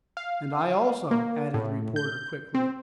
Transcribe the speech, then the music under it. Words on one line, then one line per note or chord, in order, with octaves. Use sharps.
"And I also," added the reporter quickly.
F5
A#3
A2
G6
C4